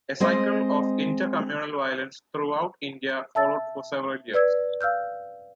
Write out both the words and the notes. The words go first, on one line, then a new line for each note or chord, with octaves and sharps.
A cycle of inter-communal violence throughout India followed for several years.
G#3 C4 D#5
E5 A5 E6 A6
B4 D5 E6 G#6
F5 E6 F6 G6